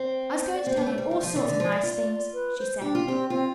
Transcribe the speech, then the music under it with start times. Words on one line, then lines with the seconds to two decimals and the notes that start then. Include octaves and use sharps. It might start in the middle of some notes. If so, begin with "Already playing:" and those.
"I was going to tell you all sorts of nice things," she said.
Already playing: C4
0.38 C5
0.54 D5
0.67 C4 C5
0.77 B3
0.86 A3 C5
0.98 G3
1.11 G3
1.23 F3
1.35 E3 D5
1.48 D3
1.60 F3
1.72 E4
1.83 F4
2.34 B4
2.58 C5
2.81 D4 G4
2.95 F4
3.06 C4 G4
3.30 C4 F4